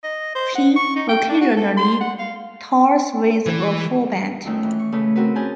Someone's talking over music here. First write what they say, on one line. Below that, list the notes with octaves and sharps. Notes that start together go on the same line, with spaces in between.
He occasionally tours with a full band.
D#5
C5
F#5
C#6
D#4
G5
D4
F#4
A4
C6
F#5
F5
E3
F2 D#3 A3 C#4 D#4
E3
C#6
C#3 A3 C#4 B4
C4 F#4 A#4 B4
C#4 G#4 A#4 G#5 A5 G6